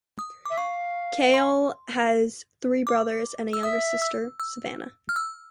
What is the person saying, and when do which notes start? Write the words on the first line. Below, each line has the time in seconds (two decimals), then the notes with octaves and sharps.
Kahle has three brothers and a younger sister, Savannah.
0.19 D#6
0.45 E5 D6
0.57 F5 C#6
1.34 C6
2.87 D6
3.53 E6
3.63 E5 D#6
4.02 E6
4.40 E6
5.09 F6
5.16 E6